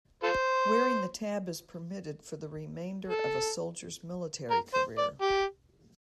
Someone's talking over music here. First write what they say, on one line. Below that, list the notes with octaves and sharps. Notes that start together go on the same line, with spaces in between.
Wearing the tab is permitted for the remainder of a soldier's military career.
F4 A4 C5
A4
A#4
C5
D5
G4